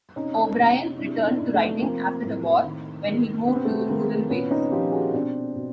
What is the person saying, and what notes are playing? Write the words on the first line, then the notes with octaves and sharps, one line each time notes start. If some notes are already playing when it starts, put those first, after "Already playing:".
O'Brian returned to writing after the war, when he moved to rural Wales.
C3 C#4 D#4
C3
C3 D4 E4
D#4
D4 E4
C3
A3 B3
F3 A#3 C4
A2
D#3
D#3
C3 B3
C4
A3 B3
D#3 A#3 C4
A#2 B3 C#4
C#4 D#4
F3 F4 G4
F#4 G#4
B2 C4 D4
B2